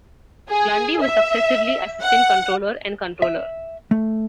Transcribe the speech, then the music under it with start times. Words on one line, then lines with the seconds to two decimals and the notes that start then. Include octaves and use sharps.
Lundy was successively assistant controller and controller.
0.50 G#4
1.02 E5
2.02 F#5
3.22 E5
3.91 A3